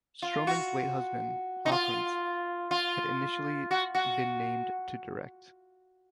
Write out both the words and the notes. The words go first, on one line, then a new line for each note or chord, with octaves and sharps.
Stroman's late husband, Ockrent, had initially been named to direct.
F4
F#4
D#4
F4
F4
F#4
F#4